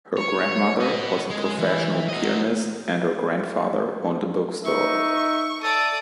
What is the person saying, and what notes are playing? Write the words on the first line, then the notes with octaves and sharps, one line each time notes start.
Her grandmother was a professional pianist and her grandfather owned a bookstore.
C#5
B4 D#5
G#3
E3
F#3 D#5
D#4 E5 C#6
A4 D5 A5 D#6